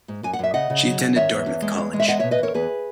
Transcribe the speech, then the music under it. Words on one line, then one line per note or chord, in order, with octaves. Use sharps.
She attended Dartmouth College.
G#2
F#2 G#5
F#5
F#2 E5
C#3 D#5 F#5
C#3
F#3
C#3
D#3 C#5 E5
E2
E2
G#3
E2
G#3
E5
E2 D#5 F#5
B2 C#5 E5
B4 D#5
E2 A#4 C#5
E2 G#4 B4